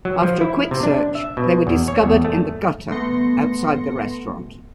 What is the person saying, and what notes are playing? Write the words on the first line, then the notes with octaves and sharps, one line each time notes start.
After a quick search, they were discovered in the gutter outside the restaurant.
F#3
F3
E4
C3
D4
E5
B2
E2
C#5
E2
A3
A3 B3 C6 A#6 C#7